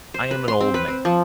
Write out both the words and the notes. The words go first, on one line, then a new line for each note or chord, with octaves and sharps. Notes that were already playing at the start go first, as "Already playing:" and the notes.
I am an old man.
C5
B4
C6
C4
B4
C4
F3